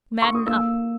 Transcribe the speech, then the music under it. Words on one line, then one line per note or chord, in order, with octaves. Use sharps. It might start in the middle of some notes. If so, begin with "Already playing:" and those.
Madden up.
C#6
D#6
A#3 E6